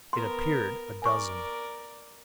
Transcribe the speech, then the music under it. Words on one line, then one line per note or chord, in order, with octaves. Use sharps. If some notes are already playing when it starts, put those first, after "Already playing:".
It appeared a dozen.
B3 A#4 C6
A#4 D5 G#5 C#6